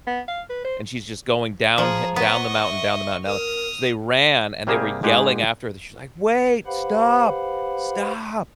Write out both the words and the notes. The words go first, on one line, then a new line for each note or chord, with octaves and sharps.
and she's just going downhi down the mountain, down the mountain, down so they ran, and they were yelling after her, she's iike, "Wait, stop, stop!"
B3
F5
B4
C5
F3 G#4 A#5
B3 D#5 C#6
E5
A#4 D#6 F6
C3 G3 A#3 G4 G#4
G#2 G#3 G4 G#4
G4 B4 C5 F5 F#5 B5